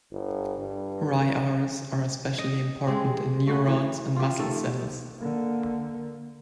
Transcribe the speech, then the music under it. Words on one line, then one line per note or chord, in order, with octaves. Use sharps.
RyRs are especially important in neurons and muscle cells.
G1
G2
D#5
G#3 C4 G4
A3 F#4 B4
E3
F4 G4
D#3 A3 A4
D3 A#3